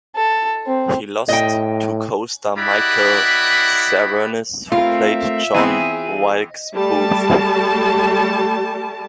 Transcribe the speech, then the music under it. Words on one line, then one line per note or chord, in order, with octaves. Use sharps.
He lost to co-star Michael Cerveris who played John Wilkes Booth.
A4
C4
A2 D#5 G5
E4 G4 D5 D#5 F#5 B5
A3 C4 F4 A#4 E5
E3 B3 C4 G#4
G3 A3 A5